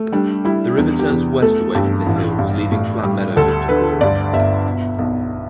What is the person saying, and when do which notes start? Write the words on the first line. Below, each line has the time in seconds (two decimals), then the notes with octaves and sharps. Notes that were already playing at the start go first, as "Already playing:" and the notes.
The river turns west away from the hills leaving flat meadows up to Goring.
Already playing: A3
0.12 G3 D4
0.45 G3 E4
0.78 E2 D4
0.99 G4
1.10 E2
1.42 A3 A4
1.75 G2 G4
2.06 A1
2.39 G2
2.71 A2
3.04 G3
3.36 D2 A4
3.69 D3 B4
4.01 G2 D5
4.33 G1 E5
4.66 B2
4.98 B1